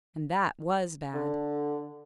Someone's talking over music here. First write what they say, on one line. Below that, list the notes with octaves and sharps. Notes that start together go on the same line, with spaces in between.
And that was bad.
D3